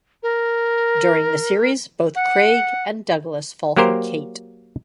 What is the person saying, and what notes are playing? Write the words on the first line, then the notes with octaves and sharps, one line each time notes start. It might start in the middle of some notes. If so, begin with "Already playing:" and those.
During the series, both Craig and Douglas fall for Kate.
A#4
F#5
F#3 A#3 G4 A#4 C5